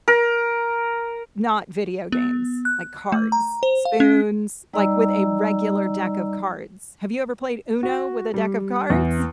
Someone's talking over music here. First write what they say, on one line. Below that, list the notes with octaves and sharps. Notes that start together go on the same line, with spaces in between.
n not video games. Like, cards, spoons, like, with a regular deck of cards. Have you ever played Uno with a deck of cards?
A#4
B3
F#6
A3
A#5
C5
F5
C#4
G3 D#4 D5 D#5 A#5 E6
F#4
G3
E2